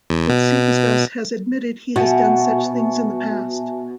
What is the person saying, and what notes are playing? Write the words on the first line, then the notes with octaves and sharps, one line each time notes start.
Mitsikostas has admitted he has done such things in the past.
E2
B2
B2 F#4 E5 G#5 A5